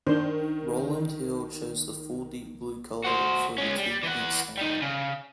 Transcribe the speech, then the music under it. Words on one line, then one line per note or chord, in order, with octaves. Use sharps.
Rowland Hill chose the full deep blue colour for the two pence stamp.
D#3 D4 C5
F#4 C5
G#3 C#4
G3
E3 F#5
G3 D#4
C#3